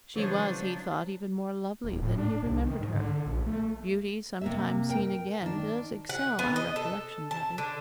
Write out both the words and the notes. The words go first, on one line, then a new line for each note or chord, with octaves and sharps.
She was, he thought, even more lovely than he remembered her. Beauty sometimes seen again does excel our recollections of it.
C#3 E3 F#3 G#3 B3 D4 C5 C#5
D1
A2
D4
C2
D#3
G#2
D3
D3
A#1
A3
C3 A#3 E5
A#4 G5
D#3 D4
F#5
B3
D#5
A4
A5
D3